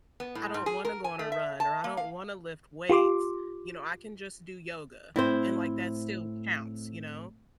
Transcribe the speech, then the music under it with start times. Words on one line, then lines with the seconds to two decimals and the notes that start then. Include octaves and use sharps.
"I don't wanna go on a run, or I don't wanna lift weights," you know, I can just do yoga, and, like, that still counts, you know,
0.20 B3
0.35 A2
0.54 G#2
0.66 G#4
0.85 A#4
1.04 G#5
1.19 A3
1.32 E5
1.60 A5
1.84 A#3
1.97 F5
2.90 F4 G4 C6 D6
5.16 A2 C4 E4 C5